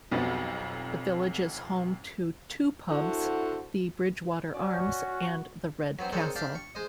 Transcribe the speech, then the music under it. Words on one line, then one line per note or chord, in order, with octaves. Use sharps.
The village is home to two pubs, The Bridgewater Arms and the Red Castle.
B1 F2 F#3 G3 B3 A6
D3 E4 F#4 A4 C5
C#4 F#4 D5
F#3 B3 C4
G#3 C4 D#4 A#4 C#5 D5
D4 G4 D5 F5 G5
C#6
G#3 C5 D#5